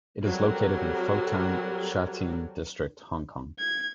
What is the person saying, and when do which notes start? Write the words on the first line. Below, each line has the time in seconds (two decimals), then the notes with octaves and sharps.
It is located in Fo Tan, Sha Tin District, Hong Kong.
0.22 F#3 G3 C4 G4 A4 A#4
3.59 G#6